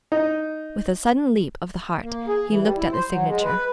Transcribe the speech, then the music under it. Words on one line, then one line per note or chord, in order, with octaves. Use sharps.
With a sudden leap of the heart he looked at the signature.
D#4
A#3
G#4
E3
G3
E4
C5
F#3
G#3
B4